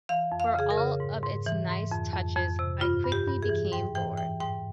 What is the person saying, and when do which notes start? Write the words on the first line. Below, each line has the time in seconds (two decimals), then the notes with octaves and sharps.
For all of its nice touches, I quickly became bored.
0.09 E3 F5
0.32 F2
0.40 F5
0.55 C#3 G#4
0.70 A#4
0.78 C#3
1.00 G#2
1.23 G#2
1.46 E3
1.69 G#2
1.91 F2
2.13 F2
2.36 F2
2.59 C3
2.81 G2 F4
3.04 G2
3.12 G4
3.27 G2
3.43 G#4
3.49 E3
3.72 G#2 G5
3.95 E3 G5
4.17 E3 G5
4.40 G#2 G5